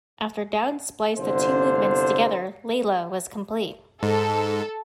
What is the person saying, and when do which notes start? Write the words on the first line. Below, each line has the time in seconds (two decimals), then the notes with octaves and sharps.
After Dowd spliced the two movements together, "Layla" was complete.
1.19 G1 C2 D3 C5
4.03 G#2 A4